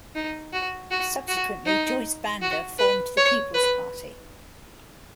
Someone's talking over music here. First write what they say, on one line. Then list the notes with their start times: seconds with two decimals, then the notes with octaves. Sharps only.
Subsequently Joyce Banda formed the People's Party.
0.15 D#4
0.53 F#4
0.91 F#4
1.28 F#4
1.66 D#4
2.41 F#4
2.78 B4
3.17 C#5
3.54 B4